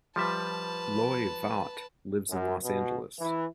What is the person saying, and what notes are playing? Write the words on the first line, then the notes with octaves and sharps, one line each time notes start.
Loy Vaught lives in Los Angeles.
F3 G3 B4 E5 A5
F#2
B2
E3